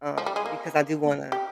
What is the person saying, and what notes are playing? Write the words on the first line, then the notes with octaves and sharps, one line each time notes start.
um, because I do wanna
F3
G3
G#3
A#3
G4